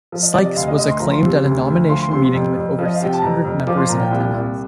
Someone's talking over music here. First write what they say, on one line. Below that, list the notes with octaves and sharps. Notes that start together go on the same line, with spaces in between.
Sykes was acclaimed at a nomination meeting with over six-hundred members in attendance.
F3
D#5
C3 D5
D#5
D2 F5
D#5
D2 D#5
C6
F3 A#5
C6
C3
D2
D2
F3 C6
C6
C3 C6
C6
F2
F2
F3
D#5
F5
C3 G5
A5
F2 A#5
F2
F3 D6
C6
A#2 A#5
G5
C2 G5
C2